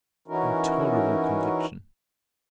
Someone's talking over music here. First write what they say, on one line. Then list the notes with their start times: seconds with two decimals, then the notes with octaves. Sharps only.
Intolerable conviction!
0.28 E3 C#4 D#4 E4 F#4 A#4